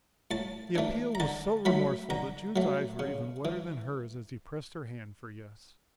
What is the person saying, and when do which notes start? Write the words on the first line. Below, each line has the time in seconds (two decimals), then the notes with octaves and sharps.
The appeal was so remorseful that Jude's eyes were even wetter than hers as he pressed her hand for Yes.
0.31 A2 A5
0.75 E3 A3 D4
1.15 A#5
1.20 D3 A5
1.65 F#3 A3 B5
2.10 D3 A#5
2.56 F#3 A3
2.99 C#3
3.45 E3